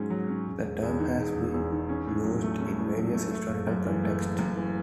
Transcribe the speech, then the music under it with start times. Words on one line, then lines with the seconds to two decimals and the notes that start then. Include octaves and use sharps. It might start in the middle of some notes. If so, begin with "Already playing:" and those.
The term has been used in various historical contexts.
Already playing: G#2 F#3 C#4 G#4
0.10 F#3
0.29 C#4
0.46 E1
0.65 E1
0.82 E2
1.00 D#3
1.18 E1
1.35 E1
1.54 E2
1.72 D#3
1.89 C#4
2.07 A2
2.24 F#3
2.42 A3
2.60 C#4
2.78 A2
2.96 F#3
3.14 A3
3.31 A3
3.49 F#1
3.67 F#2
3.85 E3
4.03 A3
4.20 F#1
4.39 F#2
4.57 E3